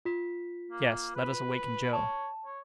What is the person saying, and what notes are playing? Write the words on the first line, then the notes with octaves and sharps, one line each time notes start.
"Yes, let us waken Joe."
F4 B6
A#3
B4
C#5 A5
C#5